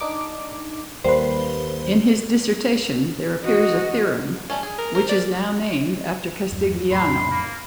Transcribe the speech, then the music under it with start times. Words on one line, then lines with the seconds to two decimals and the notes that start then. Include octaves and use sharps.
In his dissertation there appears a theorem which is now named after Castigliano.
0.01 D4 D#4 D6
1.04 D#2 G3 A#3 B4 C5
3.44 F#4 D#5
4.50 G3 A3 C#4
4.63 G#4
4.78 A#4
4.95 A#4 C5
5.09 D5
6.52 E2 G2 F#3
6.91 F2 A2 B5 C6
7.30 A#3